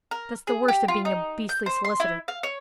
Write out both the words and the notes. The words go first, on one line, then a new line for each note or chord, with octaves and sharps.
That's the worst of being a beastly solicitor.
A#4
G#4
G4
F4
D#4
G6
C5
C6
E4
F5
C#5